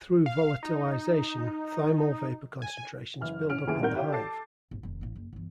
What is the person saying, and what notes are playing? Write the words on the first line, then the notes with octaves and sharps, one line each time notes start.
Through voltilisation, thymol vapour concentrations build up in the hive.
F5
D#4
G#5
F#1 E3 F6
A1 C#4 F6 D7
F#1 D#2 E3 G#4 D7
G2 D#3 C4 A#4 F#5 G6
E4 G4 C#5 D5 F5 G5
A4 A5 D6 A6 C7
G#1
F1 D#3
A1 C#3
F#1
G1 E3